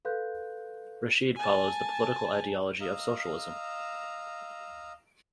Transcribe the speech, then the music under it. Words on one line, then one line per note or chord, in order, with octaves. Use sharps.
Rashid follows the political ideology of socialism.
A4 B4 F5 C6 F#6 G6
G#5 A5
D#5 F5 A#5 E6